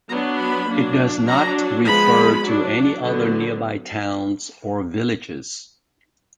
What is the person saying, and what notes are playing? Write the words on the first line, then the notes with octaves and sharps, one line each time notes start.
It does not refer to any other nearby towns or villages.
F#3 B3 D4 A#5
B5
F#3 A#3 D4
F#3 D4 A#5
F3 G#3 B3 B5
F#3 D4
D3 F#3 B3